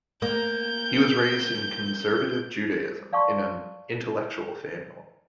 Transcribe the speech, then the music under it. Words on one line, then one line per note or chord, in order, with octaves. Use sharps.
He was raised in Conservative Judaism, in an "intellectual family".
A#3 G6
D5 F5 A5 C6 C#6